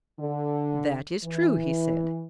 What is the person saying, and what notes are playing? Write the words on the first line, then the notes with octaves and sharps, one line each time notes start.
That is true, he said.
D3
E3